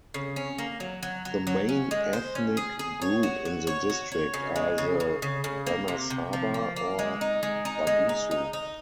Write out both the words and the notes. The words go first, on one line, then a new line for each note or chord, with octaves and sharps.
The main ethnic group in the district are the Bamasaba or Bagisu.
C#3
C#4
A#3
F#3
F#3
F#3
F#3
C#4
G#3
C5
C#4
G#4
G#4
C#5
F#4
F#4
C#5
F#4
C#5
C#3
G#3
C#3
C#3
C#3
C#3
A#3
C3
C3
F3
A#3
A#3
G#3
D#4
G#3
D#4
G#3
D#4
D#4
D#4